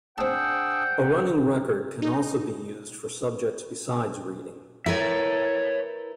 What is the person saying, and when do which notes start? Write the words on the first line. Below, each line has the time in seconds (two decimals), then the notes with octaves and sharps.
A running record can also be used for subjects besides reading.
0.18 C4 D4 G#4 C5 F#5 G5 A5 E6
2.02 D#4
4.86 E4 A#4 B4 C#5 E5